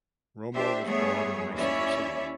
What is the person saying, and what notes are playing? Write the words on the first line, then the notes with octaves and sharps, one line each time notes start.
Romo was born in Mexico City.
D4 G4 C5 E5
G2 A3 B3 G#4 C#5 E5
D#2 C#4 E4 C#5 D5 E5